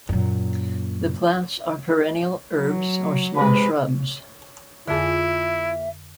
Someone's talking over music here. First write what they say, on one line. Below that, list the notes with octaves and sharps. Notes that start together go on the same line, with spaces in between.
The plants are perennial herbs or small shrubs.
F#2 A#2
F#3
C3 G#3 B4
F2 D3 A#3 E4 F4 G#4 E5